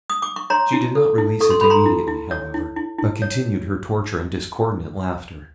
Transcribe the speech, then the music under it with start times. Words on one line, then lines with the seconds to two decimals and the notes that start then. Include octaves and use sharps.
She did not release it immediately however, but continued her torture and discordant laughter.
0.10 D#6
0.22 D6
0.36 C#6
0.50 C#5 A#5 C6
0.73 E4
0.95 A4
1.18 E4
1.41 A4 C#6
1.50 C6
1.61 A4 B5
1.70 A#5 C6
1.86 E4
2.08 E4
2.31 C#5
2.54 E4
2.76 E4
2.99 E4
3.22 C#5